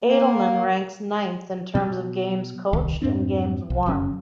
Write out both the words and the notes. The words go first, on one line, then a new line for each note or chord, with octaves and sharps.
Adelman ranks ninth in terms of games coached and games won.
A#3
B2 F#3
D#1 C2 D#3
F2 G#2 C4 D4
B1
F1 F#2 F#3 C#4